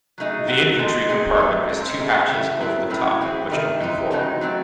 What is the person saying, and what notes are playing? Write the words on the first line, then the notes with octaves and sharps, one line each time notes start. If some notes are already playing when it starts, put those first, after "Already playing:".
The infantry compartment has two hatches over the top, which open forwards.
F#3 A3 D#4 G#4
F#3 C4 F#4
G#3 D#4 A4
F#3 C4 D#4 G#4
F#3 A3 D#4 A4
G#3 C4 D#4 A4
A2 G#3 C4 E4
C#3 E3 A3
F#3 C4 E4 A4
A2 F#3 C#4 E4
E3 C4 E4 G#4
C3 D#3 A3 D#4
E3 C4 D#4
C#3 E3 G#3 D#4 F#4
F#3 A3 C4 F#4